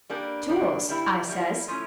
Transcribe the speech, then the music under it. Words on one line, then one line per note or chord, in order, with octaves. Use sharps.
"Tools?" I says.
G3 A#3 D4
G3 A#3 D4
G3 A#3 E4
G3 A#3 E4
F3 A3 C#4 E4